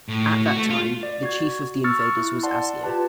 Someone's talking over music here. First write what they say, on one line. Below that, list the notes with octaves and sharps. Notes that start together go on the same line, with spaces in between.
At that time, the chief of the invaders was Asgeir.
A2
F#4
A3
F4
D5
F#4 G#6
C#6 E6 F6 A6 C#7
E4
D5 F#5 A5 C6
F4 G4 B4 A5